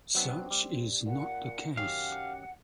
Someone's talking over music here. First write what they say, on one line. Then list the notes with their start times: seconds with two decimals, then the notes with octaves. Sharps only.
Such is not the case.
0.15 F#3 B3 C4 D4
0.51 G3
1.07 A#2 F#5
1.77 F#2 D#3 C#4 G4 F5
2.00 F#5